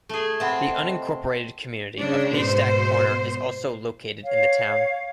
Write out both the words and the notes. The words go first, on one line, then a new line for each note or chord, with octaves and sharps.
The unincorporated community of Hay Stack Corner is also located in the town.
A3 G#4
C3 C4 E5 F#5 A5 B5
D#5
C#3 D4
G#2 B2 C5
C#5 F5